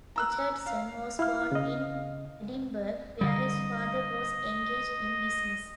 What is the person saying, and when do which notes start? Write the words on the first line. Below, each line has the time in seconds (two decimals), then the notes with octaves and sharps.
Orchardson was born in Edinburgh, where his father was engaged in business.
0.16 A#5 E6 F#6
0.66 F5
1.19 E4 F5 F6
1.52 C#3 D#5
3.21 D3 G3 D#5